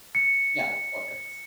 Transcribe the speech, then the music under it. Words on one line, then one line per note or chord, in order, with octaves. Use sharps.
Yeah, of course.
C#7